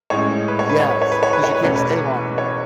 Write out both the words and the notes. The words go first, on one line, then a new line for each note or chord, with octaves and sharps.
Yes, 'cause you can't stay long enough.
A2 G#3 C#4 C#5
B4
C#5
B4
C#5
B4
C#5
B4
C#5
B4
C#5
B4
E2 B2 A3 C#4 C#5
B4
C#5